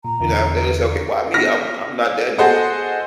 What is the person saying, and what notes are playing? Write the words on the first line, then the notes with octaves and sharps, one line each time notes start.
You know, I they would say, "Okay, why me? I'm I'm not that n
A#2 A#5
E2 D3
B4
F6 A#6 B6
F#4 G#4 A4 C5 D#5 F#5